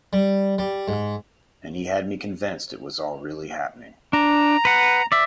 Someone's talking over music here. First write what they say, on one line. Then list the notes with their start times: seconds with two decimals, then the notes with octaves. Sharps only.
And he had me convinced it was all really happening.
0.13 G3
0.58 G3
0.88 G#2
4.13 D4 A#5
4.65 B4 F#5
5.12 D5 E5